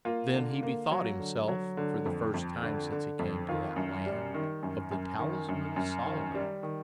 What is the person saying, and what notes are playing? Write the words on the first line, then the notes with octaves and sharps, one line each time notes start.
Then he bethought himself, for the first time since he came to that land, of the Talisman of Solomon.
A#3 F4
D3
A#3
F#3
D3
F#3
D3
F2
F2
D3
D3
F2
D#3 F4
F#2
G3
D#3
F#2
F#2
D#3
F#2
F#2
D#3
G3
D#3